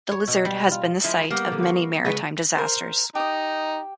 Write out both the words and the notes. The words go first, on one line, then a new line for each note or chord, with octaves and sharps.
The Lizard has been the site of many maritime disasters.
C#5
B2
G3
F4
F3 G#3 E4
G3 A#3 B3 G4
D3 D5
C#5 F5
C#3 G#3 B3 C#4 B4
A#4 C5
D#4 G4 D#6